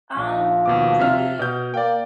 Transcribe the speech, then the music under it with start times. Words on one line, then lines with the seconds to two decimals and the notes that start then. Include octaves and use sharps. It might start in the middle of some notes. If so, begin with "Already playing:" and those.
Um, really?
0.17 A#1 F3
0.66 D#2 B2 D6
0.99 C3 E5 F6
1.39 B2 G6
1.74 A#3 D5 G5